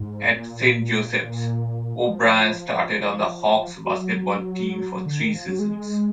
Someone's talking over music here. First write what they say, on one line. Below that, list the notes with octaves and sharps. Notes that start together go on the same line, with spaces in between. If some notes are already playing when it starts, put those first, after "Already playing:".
At Saint Joseph's, O'Brien started on the Hawks basketball team for three seasons.
Already playing: G#2
A#2
F3
F#3
D3
D#3
F3
F#3
G#3